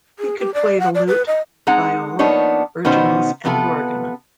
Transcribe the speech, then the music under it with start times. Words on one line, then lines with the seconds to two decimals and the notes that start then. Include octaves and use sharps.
He could play the lute, viol, virginals and the organ.
0.19 G#4
0.39 G4
0.54 D5
0.80 F#5
0.95 D5
1.08 B4
1.27 D#5
1.67 G#3 C4 D#4 F#5 A#5
2.19 F3 A#3 B3 D4 D#4 C#5
2.85 B2 D#3 B3 C#4 D#4 C5
3.45 C3 B3 F4 A4 B4